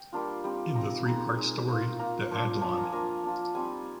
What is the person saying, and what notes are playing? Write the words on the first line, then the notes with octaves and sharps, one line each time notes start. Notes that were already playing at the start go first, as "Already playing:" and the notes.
In the three-part story "The Adlon".
Already playing: G5
G3 A#3 D4 F4
G3 C4 D#4
G3 C4 D#4 A#5
G#3 D#4 A#5
G#3 D#4 G#5
A#3 F4
A#3 F4 A#5
F3 A#3 D4 F4
F3 A#3 D4 F4 G#5
A#5
G#5
A#3 D4 F4 A#5
A#3 D4 F4
G3 C4 D#4 G#5